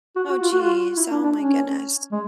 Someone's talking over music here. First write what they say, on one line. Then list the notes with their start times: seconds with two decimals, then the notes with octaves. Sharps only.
Oh, jeez. Oh my goodness.
0.16 F#4
0.30 F#4
0.42 F4
0.51 F#4
0.61 F4
0.97 E4
1.11 D4
1.24 D4
1.38 C#4
2.12 G#3